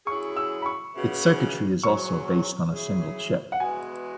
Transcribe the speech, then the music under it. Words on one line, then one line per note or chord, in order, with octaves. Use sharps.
Its circuitry is also based on a single chip.
F#2 F#3 E4 G#4 C#6
E6
B5
C#6
C#3 E3 B3 F#4
E2 C#3 F#3 C#6
C#3 F#3 E4 G#4
F#5
E2 E3 G#3 B3 F#4 G#5